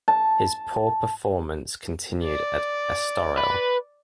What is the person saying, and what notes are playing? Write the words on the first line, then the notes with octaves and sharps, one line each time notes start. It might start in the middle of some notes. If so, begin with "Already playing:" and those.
His poor performance continued at Estoril.
A5
D5
B4